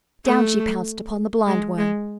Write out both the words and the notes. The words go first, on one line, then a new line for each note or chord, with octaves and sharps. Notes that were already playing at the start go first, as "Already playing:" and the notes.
Down she pounced upon the Blindworm.
A3
G#3
G#3